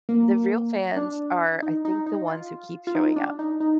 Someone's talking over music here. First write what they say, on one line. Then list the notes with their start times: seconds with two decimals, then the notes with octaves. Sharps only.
the real fans are, I think the ones who keep showing up.
0.09 A#3
0.96 D4
1.62 D#4
1.85 D#4
2.06 D#4
2.28 F4
2.87 F4
2.95 D#4
3.16 D4
3.39 D#4
3.60 D#4